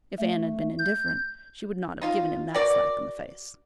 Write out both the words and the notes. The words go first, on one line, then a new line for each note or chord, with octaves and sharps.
If Anne had been indifferent she would not have given him that slap in the face.
A3
G6
D#4 F4 F5
F#4 A#4 D5